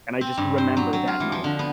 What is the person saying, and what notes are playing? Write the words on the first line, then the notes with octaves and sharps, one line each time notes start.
and I just remember that moment.
C4
G2
C5
F#3
F#3
F4
E3
F3
D3
B3